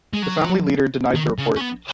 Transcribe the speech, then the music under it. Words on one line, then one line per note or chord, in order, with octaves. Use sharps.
The Family Leader denied the report.
G#3
F#3
D#3
C#3
C#4
B3